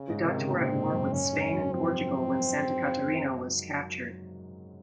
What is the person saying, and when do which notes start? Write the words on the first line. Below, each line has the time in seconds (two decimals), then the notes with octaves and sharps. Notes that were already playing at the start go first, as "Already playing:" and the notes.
The Dutch were at war with Spain and Portugal when "Santa Catarina" was captured.
Already playing: C#3
0.10 G#2
0.24 C3 D#3
0.38 C#3
0.53 A#2 C4
0.73 G#2
0.93 F#2
1.12 F#2 C#4
1.33 G#2
1.53 F#3
1.73 F3 C4